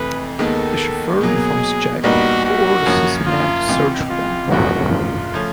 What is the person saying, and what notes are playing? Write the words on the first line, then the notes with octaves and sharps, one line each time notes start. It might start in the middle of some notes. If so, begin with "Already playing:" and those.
The chauffeur informs Jack, who orders his men to search for them.
Already playing: F2 C3 E3 A3 B4
D#2 D#3 G#3 B3 A4
B2 F#3 A#3 G#4
A#1 A#2 G3 B3 D#4 F#4
F#4
F#2 C#3 F3 A#3 C#4
F4
C#2 C3 E3
F4
F#1 F#2 D3 F#4
F4
C#3 F3 A3 C#4